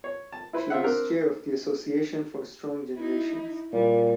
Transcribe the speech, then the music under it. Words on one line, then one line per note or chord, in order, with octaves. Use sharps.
She was Chair of the "Association for Strong Generations".
C#5
A5
E4 B4 C5
C4 F4 E5 F#5
C4 D4 A#4
D#4 E4
A#2 G3